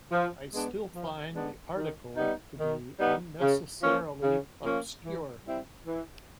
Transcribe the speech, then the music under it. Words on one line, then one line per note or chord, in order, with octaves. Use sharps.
I still find the article to be unnecessarily obscure.
F3
G#3 B3 D4
F3
G#3 B3 D4
D#3
G3 B3 D#4
D#3
G3 B3 D#4
C#3
F3 A#3 C#4
C#3
F3 A#3 C#4
E3
G3 C4 E4
E3